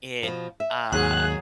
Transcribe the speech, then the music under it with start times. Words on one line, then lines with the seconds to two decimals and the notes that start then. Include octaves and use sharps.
it, uh
0.23 B2 F3
0.60 E5
0.92 D#2 G#2 D#3 F#3 G#4 F#6